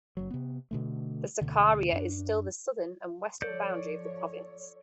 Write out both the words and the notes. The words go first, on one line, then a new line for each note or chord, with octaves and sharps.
The Sakarya is still the southern and western boundary of the province.
F#1 F#3
C3 B3
B2 D3 A3
D2 B2 D3
F#2 D4
F3 A4 C#5 D5 G6